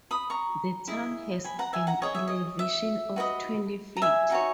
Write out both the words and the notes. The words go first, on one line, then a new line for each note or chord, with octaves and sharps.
The town has an elevation of twenty feet.
B5 D#6
A#5 C#6
E4 G#4 D#5
G#5 B5
F#5 A#5
E5 G#5
F#5 A#5
G#4 C#5 D#5
E5
D#5
E5
F#4 B4 D#5
A#5
E5 G#5
D#4 F#4 C#5